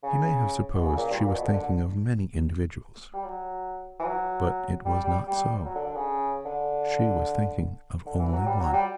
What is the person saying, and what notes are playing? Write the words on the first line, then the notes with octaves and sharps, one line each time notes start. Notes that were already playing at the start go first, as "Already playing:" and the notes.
She may have supposed she was thinking of many individuals, but it was not so--she was thinking of only one.
C#3
B2
C#3
A#2
G2
A#2
B2
D3
D3
G3
F#3
E3
F#3
G3
G3
G3
F#3
D3
D3
C#3
D3
D3
E3
F#3
G3
F#3
G3